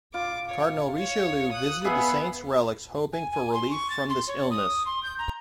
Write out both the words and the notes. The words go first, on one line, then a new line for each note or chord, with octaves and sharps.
Cardinal Richelieu visited the saint's relics hoping for relief from this illness.
F4 D6
C#5
C#5
D#6 F#6
B3 G#4 B4 E5
G#5
G#5
C6
C#6
A6
C6
C#5
D#6
C6
G6
A#5